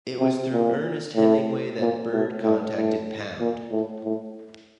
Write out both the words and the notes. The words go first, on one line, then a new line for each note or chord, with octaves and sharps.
It was through Ernest Hemingway that Bird contacted Pound.
C3
A#2
A2
A#2
A2
A2
A2
A#2
A2
A2